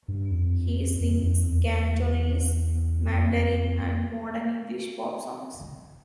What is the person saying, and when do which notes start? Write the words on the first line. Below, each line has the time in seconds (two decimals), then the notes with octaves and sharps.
He sings Cantonese, Mandarin and modern English pop songs.
0.08 G2
0.31 F2
1.01 F2
1.23 F2
1.46 E2
3.07 F2